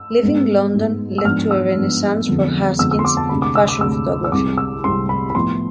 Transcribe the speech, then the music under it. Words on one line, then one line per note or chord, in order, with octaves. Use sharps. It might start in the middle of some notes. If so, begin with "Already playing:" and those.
Leaving London led to a Renaissance for Haskins’ fashion photography.
Already playing: E6
G#2 G#3 B3
G#2 G#3 B3
E6
G#2 F3 B3 D4 F6
E6
G#2 F3 B3 D4
F2 D3 F3 G#3 B3
F2 D3 F3 G#3 B3 E6
E6
C6
D6
A5
D2 C3 G#3 D4 B5
D6
E6
D6
D2 C3 G#3 D4 E6
E6
C2 C3 G#3 C4 D6
E6
C2 C3 G#3 C4 C6
B5
B5
A2 F3 B3 E4 C6